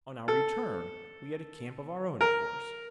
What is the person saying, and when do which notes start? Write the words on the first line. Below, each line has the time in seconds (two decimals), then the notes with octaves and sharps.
On our return, we had a camp of our own, of course.
0.28 A4
2.21 A#4